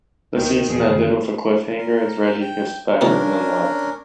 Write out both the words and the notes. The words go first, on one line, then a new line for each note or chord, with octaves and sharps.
The season ended with a cliffhanger as Reggie kissed Becker and then left.
D2 D#3 B3
F1 E2 A#2 G4 G#4
F#2 D3 D#3
A#4
G5
C3 D#3 F3 C#4 D4 A#4